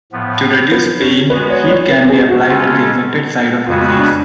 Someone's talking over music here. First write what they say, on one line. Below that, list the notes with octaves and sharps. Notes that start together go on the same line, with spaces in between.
To reduce pain, heat can be applied to the affected side of the face.
A2 F3 B3
B3
C#4
G#3 B3 F#4 B4
C#5
C#5
B4
G#4
F#4
C#3 G#3 C#4 F4 A4
F2 C#3 G#3 B3 F4 F#4
D4